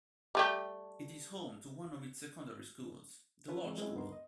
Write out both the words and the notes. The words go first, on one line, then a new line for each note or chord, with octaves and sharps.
It is home to one of its secondary schools, The Lodge School.
G3 A3 G4
C#4 E4 F4 A4 B4
E3 G#3 C4
F#3 G#3 A3 C4 C#4 E4
D2 G2 B3 D#4 A#4 C6
D#5